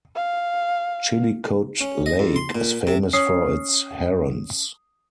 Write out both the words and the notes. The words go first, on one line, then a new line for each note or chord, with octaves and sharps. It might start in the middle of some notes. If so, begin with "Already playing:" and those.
Chillicote lake is famous for its herons.
F5
C#4
D#5
F2
C6
A#2
C3
C#4 D#6 C7